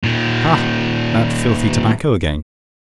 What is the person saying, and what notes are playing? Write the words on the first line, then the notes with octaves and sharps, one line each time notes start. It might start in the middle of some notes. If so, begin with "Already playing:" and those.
Ha! that filthy tobacco again!
A#2 D#3